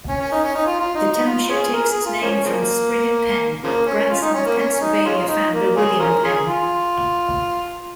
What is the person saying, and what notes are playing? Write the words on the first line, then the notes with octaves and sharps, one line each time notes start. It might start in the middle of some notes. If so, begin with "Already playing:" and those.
The township takes its name from Springett Penn, grandson of Pennsylvania founder William Penn.
C#4
C#4
D#4
C#4
D#4
F4
F4
D#4
D#4
F4
C#4 F4 G#4
A#4
G#4
F4
F3 A#3 C#4
C#3 F3 A#3
C#3 F3 A#3
C#4
F4
D#4
C#4
A#3
C#4
C#4
D#4
G#3 C#4 F4
D#4
A#3
C#4 F4 G#4
C#4 F4 A#4
C#4 F4 G#4
F4